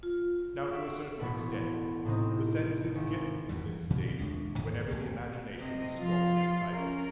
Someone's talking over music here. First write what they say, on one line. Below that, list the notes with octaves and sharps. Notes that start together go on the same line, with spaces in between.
Now, to a certain extent, the senses get into this state whenever the imagination is strongly excited.
F4
F#4 E5 D7
A1 B2 B3 B5
A2 C3 C4 D#4
G#1
E2 G2 E3 G3
A#2 C#3 F3 G3
A1 D#2 G#3 D4
G#2 D#3
G#1 E2 B2 A#3
C3 D#5
F3 F4
C#4 A#4